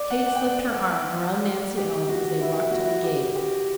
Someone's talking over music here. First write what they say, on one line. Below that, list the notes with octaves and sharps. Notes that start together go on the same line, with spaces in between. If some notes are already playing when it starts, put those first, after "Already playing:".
Kate slipped her arm around Nancy Ellen as they walked to the gate.
Already playing: D5
F#5
F#5
G5
F#5
G4
F#4
E4
E4
F#4
G4
G4